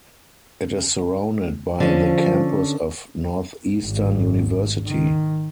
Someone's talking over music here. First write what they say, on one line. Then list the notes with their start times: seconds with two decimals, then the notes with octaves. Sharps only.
It is surrounded by the campus of Northeastern University.
1.80 D3 F3 C#4
3.84 G#1
4.86 D#3